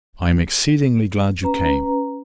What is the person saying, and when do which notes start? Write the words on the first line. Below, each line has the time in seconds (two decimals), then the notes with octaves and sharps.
I am exceedingly glad you came.
1.42 C#4 B4 A#5